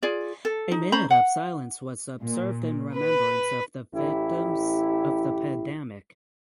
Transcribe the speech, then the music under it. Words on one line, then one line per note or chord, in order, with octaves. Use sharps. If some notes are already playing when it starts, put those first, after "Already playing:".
A minute of silence was observed in remembrance of the victims of the pandemic.
F4 G#4 D5
A4
D#4
C#4 C5 A#5 B5
F#5
A#2
B4
A1 E4 G4